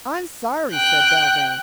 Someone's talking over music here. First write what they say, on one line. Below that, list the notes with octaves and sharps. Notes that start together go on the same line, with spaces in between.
"I'm sorry," said Belvane.
G5 F#6